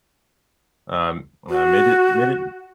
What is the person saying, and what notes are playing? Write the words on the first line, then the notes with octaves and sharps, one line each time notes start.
um, uh, made it made it
F#4